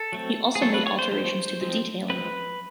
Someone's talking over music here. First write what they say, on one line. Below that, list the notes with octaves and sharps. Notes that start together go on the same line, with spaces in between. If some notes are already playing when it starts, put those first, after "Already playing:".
He also made alterations to the detailing.
Already playing: A4
F#3 A3 C4
G#4
F#3 A3 C4 A4
B4
C#5
C5
F3 G#3 C4 C5
F3 G#3 C4
F3 G#3 C4 B4